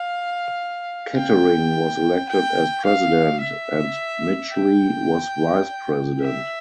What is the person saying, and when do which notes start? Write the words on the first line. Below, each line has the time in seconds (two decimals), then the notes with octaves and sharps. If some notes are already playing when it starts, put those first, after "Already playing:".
Kettering was elected as president, and Midgley was vice president.
Already playing: F5
1.16 G5
2.29 G5
2.85 F5
3.40 E5
4.53 G5
6.22 E5